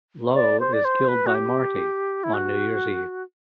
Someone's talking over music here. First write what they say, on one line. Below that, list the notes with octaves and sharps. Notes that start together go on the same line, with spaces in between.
Lowe is killed by Marty on New Year's Eve.
D5
C5
D5
C5
B4
F#4
G4
E4
F#4